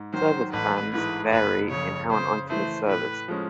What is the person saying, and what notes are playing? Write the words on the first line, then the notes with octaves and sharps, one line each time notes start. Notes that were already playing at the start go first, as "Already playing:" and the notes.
Service plans vary in how an item is serviced.
Already playing: G#2
D#3 F#3 C5
A1 B4
G#2 E3 G#3 B4
F#1 B4
F2 C#3 C#5
C#3 C5
E3 A3 C5
A2 B4
F3 G#3 C#4